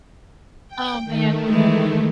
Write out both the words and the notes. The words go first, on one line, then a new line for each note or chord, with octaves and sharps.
Oh, man.
G5
D#3 A3
E3 G#3